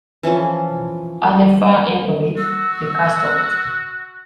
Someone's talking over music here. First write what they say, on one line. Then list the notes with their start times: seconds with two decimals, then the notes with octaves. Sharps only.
At the far end of it, the car stopped.
0.23 E3 F3 C#4 A4
2.38 F#4 E6